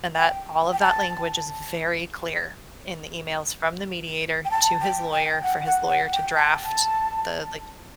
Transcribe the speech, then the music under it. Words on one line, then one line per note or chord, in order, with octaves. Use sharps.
And that all of that language is very clear in the emails from the mediator to his lawyer, for his lawyer to draft the, like,
G5
G5
A5
G5
A5
G5
G5
F#5
F#5
F#5
G5
A5
A5